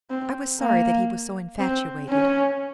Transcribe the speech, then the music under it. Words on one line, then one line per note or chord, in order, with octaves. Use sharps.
I was sorry that he was so infatuated.
C4
A#3
C4
C#4